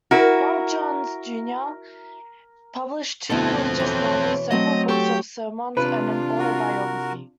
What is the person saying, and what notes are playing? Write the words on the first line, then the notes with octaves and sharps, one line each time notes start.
Bob Jones Junior published two religious novels, several books of sermons, and an autobiography.
E4 F#4 A#4
D2 B2 C4 A4
E3 C#5
F#3 A3 C4 D#5
G4 A4 C#6
C3 D4 F4 B4
F#4 A#4